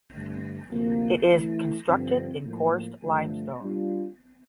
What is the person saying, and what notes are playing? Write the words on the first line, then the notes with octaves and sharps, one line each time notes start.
It is constructed in coursed limestone.
G2 D3 A3
D2 C3 F3 A#3
E3 A3 E4
G2 D3 F3 C4
A2 F3 A#3
G2 D3 F3 A3
G3 D4 F4